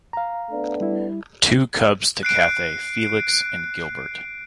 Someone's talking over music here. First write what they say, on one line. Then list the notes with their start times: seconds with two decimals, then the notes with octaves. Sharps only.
Two cubs to Cathay: Felix and Gilbert.
0.13 F5 A#5
0.50 A3 B3 D4
0.81 G3 E4
2.23 F#6 C7 D7